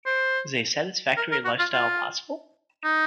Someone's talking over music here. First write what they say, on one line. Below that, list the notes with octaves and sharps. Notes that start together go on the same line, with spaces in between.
Is a satisfactory life-style possible?
C5
A#4
A#4
F#4
F4
F4
D#4